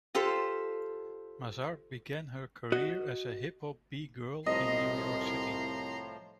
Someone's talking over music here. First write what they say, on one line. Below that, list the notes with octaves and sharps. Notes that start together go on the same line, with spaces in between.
Mazar began her career as a hip hop b-girl in New York City.
F4 G4 A4 C5
F#4 D#5
C2 A2 F3 D#5 A#5 C6